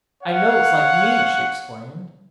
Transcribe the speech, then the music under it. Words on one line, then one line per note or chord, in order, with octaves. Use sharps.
'I know it's like me!' she exclaimed.
C#5 F5 F#5